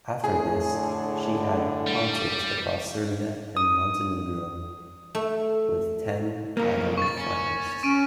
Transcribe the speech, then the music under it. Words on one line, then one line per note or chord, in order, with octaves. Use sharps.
After this, she had concerts across Serbia and Montenegro with ten "Idol" finalists.
A2 G#4
D3
G3
D#6
A3
B1 C#3 A#3 A#4
C#6 A6
C#4
C#4 C#6 D7 D#7